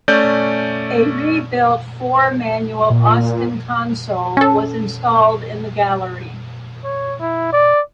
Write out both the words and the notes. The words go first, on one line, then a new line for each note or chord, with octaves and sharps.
A rebuilt four-manual Austin console was installed in the gallery.
A3 C#4 D5 G6
A#2
C#4 A4
C#5
E4
D5